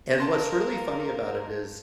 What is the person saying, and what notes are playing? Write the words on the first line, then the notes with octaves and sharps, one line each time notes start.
and what's really funny about it is
A#3 A#4 A5 C6 A#6